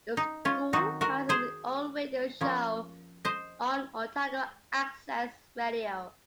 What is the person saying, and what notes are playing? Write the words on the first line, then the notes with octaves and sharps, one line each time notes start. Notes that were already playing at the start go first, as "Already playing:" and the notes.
The school has its own radio show on Otago Access Radio.
D#4
C#4 F4
D#3 F#3 C4 D#4 F#4
F#4 A#4
G#4 C5
F3 A#3 C#4
C5 D#5